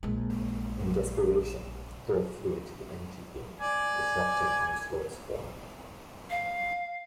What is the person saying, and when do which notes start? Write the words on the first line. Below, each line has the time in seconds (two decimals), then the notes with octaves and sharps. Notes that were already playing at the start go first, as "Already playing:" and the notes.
In desperation, Thor flew into the energy being, disrupting Onslaught's form.
0.03 A#1 G#3
3.60 D5 G#5
6.30 F5